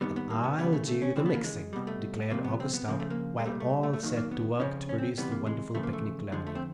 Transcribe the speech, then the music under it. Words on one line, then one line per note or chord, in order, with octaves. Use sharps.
"And I'll do the mixing," declared August Stout, while all set to work to produce the wonderful picnic lemonade.
G#2 D#3 G3 B3
B3
A#3
B3
D#2 C#3 E3 G3 B3
A3
A3
C#4
D#2 C#3 E3 G3 C4
B3
A#3
G#3
C2 B2 G3
A3
C2 C3 F3 A#3
B3
C4
B3
F2 C#3 F3 A#3
A3
A#3
G#3
C2 A#2 G3 A3
A3
A3
A3
F#2 D#3 F#3 A#3
A#3
B3
F2 C#3 F3 C#4
C#4
C4
C#2 C3 E3 G3 B3
A#3
G#3
E2 C#3 F3 A3
A#3
A3
F2 D3 F3 G#3
A3
C4